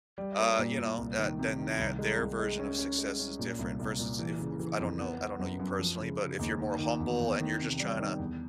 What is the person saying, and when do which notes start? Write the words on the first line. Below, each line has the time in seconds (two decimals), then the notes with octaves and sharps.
uh, you know, uh, then th their version of success is different versus if f I don't know, I don't know you personally, but if you're more humble and you're just trying to
0.18 G3
0.38 A#3
0.59 A#2
0.78 A#2
0.98 C2
1.19 D#3
1.39 C3
1.59 D#3
1.78 C2
1.99 G#3
2.18 C2
2.39 G#3
2.59 C#4
2.78 C#4
2.98 G#3
3.19 C#4
3.39 A#2
3.59 C2
3.79 C2
3.99 A#2
4.19 E3
4.39 C#3
4.59 E3
4.80 F2
4.99 B3
5.19 B3
5.39 F#2
5.59 F#2
5.79 F3
6.00 C#3
6.20 C#3
6.39 D#2
6.60 D#3
6.79 D#3
7.00 E2
7.20 E2
7.40 D#3
7.59 C3
7.79 G3
7.99 D#3
8.19 E2